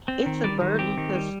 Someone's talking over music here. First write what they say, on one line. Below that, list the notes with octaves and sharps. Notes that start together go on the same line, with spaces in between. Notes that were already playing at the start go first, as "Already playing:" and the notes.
it's a burden, 'cause
C4
D#3
G3 D5
D#3
C4 G4
D#3
G3